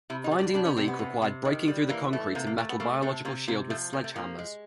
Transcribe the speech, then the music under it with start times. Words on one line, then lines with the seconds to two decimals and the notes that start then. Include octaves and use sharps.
Finding the leak required breaking through the concrete and metal biological shield with sledgehammers.
0.10 C3 E4
0.24 D#4
0.31 G3
0.39 D4
0.54 C3 D4
0.65 C#4
0.77 C3 C4
0.88 B3
0.99 C3
1.22 C3
1.45 D#3
1.68 G3
1.89 E3 A#3
2.13 A3
2.35 C3 A#3
2.47 A#3
2.58 A3 A#3
2.69 B3
2.80 A3 A#3
3.02 C3 A3
3.25 C3 A#3
3.48 C3 A#3
3.70 F3 A3
3.93 C3 A#3
4.04 A3
4.16 F3 A#3
4.38 G#3